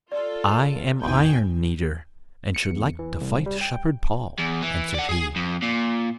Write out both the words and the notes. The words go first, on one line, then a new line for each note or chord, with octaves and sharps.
'I am Iron Kneader, and should like to fight Shepherd Paul,' answered he.
F4 A4 D5
A1 E2 B2 D#3 G5 G#5
C#7
E2
E3
C2
G3
G5
E2
E3
D5 F#5
G#4 G#5
F2
A#2